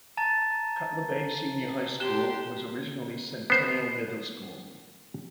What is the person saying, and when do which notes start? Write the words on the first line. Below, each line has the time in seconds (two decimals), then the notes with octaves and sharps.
Cutler Bay Senior High School was originally Centennial Middle School.
0.17 A5 A#5 A6
2.00 G4 C6 F#6 E7 G7
3.50 B3 C5